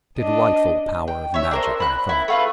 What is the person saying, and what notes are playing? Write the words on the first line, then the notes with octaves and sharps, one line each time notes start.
"Delightful power of magic!" I thought.
D4 D#5
G5
C#5 E5
D4 A#4 C5
B5 F#6
E4
A3 F4 B4